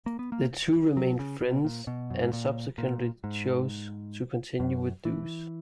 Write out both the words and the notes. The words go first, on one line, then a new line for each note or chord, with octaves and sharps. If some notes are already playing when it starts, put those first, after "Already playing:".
The two remained friends and subsequently, chose to continue with Dos.
A#3
B3
A#3
F#3
C#3
B2
A#2
B2
F#2
G#2
A#2
A#2
G#2
F#2
E3